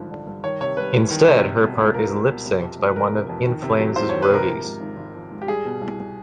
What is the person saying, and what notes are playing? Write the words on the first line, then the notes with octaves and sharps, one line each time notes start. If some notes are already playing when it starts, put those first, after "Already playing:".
Instead, her part is lipsync'd by one of In Flames' roadies.
Already playing: G#1 G2 D3 F3
D3
G2
D#3 C#5
C3 C#5
G3 B4
C2
D#3
C3
G3
B2
C#2
C#2 A#4
G3
B2
C3
F2
F1
B4
F1 A#4
C3
F2
D#3
C3
F#3
E2 C5
D#3 C#5
B4
C3 A#4
F3
G#2
G#1
G#1
F3
G#2
G4
G3 G#4
B2
C2